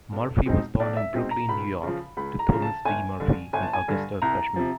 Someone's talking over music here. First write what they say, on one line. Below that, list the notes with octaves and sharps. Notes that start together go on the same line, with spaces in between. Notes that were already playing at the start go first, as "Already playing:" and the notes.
Murphy was born in Brooklyn, New York, to Thomas D. Murphy and Augusta Cushman.
B1
B2 G#3 C4 D#4
B1 D5
E5
B2 G#3 C4 D#4
A#5
C#2 B5
C#3 F3
C#2 B5
A#5
C#3 F3
A5
G1 G#5
G2 D3
G1 G#5
A5
G#5
G2 D3
C2 A#5
C3 F3